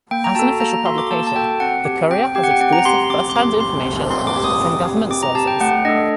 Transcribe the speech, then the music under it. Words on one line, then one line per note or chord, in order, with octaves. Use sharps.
As an official publication, the "Courier" has exclusive first-hand information from government sources.
A#3 G5
A#5
F#4 A4 A5
A#3 A#5
A#5
F#4 A4 C6
D6
A#3 A5
A5
F#4 A4 G5
C4 F#5
G4
C4 G5
G4 G5
F#5
G5
C4 F#5
A#5
G4 C6
C4 D6
C6
G4 D6
C4 C6
G4
C4 C6
D6
G4
D#6
C4
G4
C4 D6
A#5
G4 A5
G5
A3 F#5
D4 A4 D#5